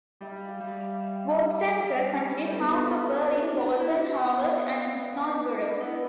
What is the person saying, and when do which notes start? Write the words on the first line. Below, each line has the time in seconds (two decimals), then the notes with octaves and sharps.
Worcester County: Towns of Berlin, Bolton, Harvard, and Northboro.
0.21 G3
0.40 F5
0.60 G3 E5
0.80 F5
1.01 E5
1.80 G3
2.21 G3
2.44 A4
2.52 C4 B4
2.60 B3 C5
2.87 B3
3.14 D4
3.80 E4
3.94 D4
4.08 C4
4.21 B3 E5
4.41 F5
4.61 G5
4.81 F5
5.01 D5
5.21 B4
5.40 E4
5.61 D4
5.80 B3 E4